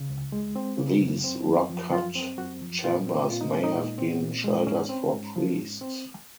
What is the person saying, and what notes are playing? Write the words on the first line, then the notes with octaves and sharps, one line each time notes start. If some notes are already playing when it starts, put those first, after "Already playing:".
These rock-cut chambers may have been shelters for priests.
Already playing: C#3
C#2
G#3
C4
C#3
F#2
C4
F#2
F3
F#2 F4
C4
F#2 F#4
F3
A#2 F4
C4
A#2 F4
D#4
G#3 C#4
D#4
A#2
C4
A#2
G#3
G#2 C#4
C4
G#2
F3
G#2
C4